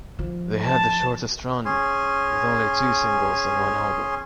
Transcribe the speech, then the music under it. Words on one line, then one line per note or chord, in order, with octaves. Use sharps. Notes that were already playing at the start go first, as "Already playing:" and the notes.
They had the shortest run with only two singles and one album.
F3
A5
C#4 G#4 G#5 C6